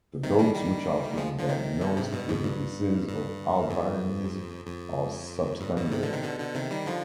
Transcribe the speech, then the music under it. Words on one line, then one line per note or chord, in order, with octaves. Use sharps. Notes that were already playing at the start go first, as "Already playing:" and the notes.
The dogs which have been diagnosed with a disease of albinism are substandard.
C3 D#3
D#3 G3
D#3 G3
F3 G#3
D3 F3
C3 D#3
B2 D3
G#2 C3
G2 B2
F2 G#2
G2
G2
F2
F2
G2
G2 B2
G#2 C3
B2 D3
C3 D#3
B2 D3
B2 D3
C3 D#3
D#3 G3
D3 F3